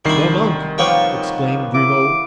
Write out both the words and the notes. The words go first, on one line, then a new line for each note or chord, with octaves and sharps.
"The monk!" exclaimed Grimaud.
C2 D#3 D4 E4 C7
F3 A#3 B3 C#5 G5
E4 D6